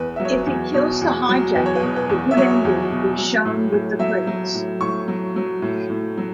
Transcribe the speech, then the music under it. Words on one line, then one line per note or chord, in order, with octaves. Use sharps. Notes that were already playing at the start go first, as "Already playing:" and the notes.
If he kills the hijacker, the good ending is shown with the credits.
Already playing: E2 B4
E5
F#3
C#5
B4
E2
B2 C#5
E2
F#3
E2 B4
C#5
B4
B2
B4
E2
E5
F#3 C#5
E2
B2
F#3
A2
A2
F#3 E5
F#3
A2
A2 C#6
F#3
F#3
A2
A2
F#3